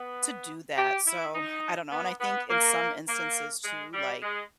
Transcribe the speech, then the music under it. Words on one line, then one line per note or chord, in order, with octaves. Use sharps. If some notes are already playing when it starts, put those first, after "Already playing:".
to do that, so I don't know, and I think in some instances too, like,
Already playing: B3
G4
E4
D#4
B3
B3
A#3
A#3
G#3
G3
G#3